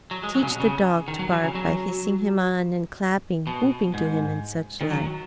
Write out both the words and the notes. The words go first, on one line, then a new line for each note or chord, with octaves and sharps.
Teach the dog to bark by hissing him on and clapping, whooping to him and such like.
F#3
G#3
F#3
C#3
B2
C#3
D#3
F#3
F#3
C#3
F#3
B2
G#2
D#3
F#3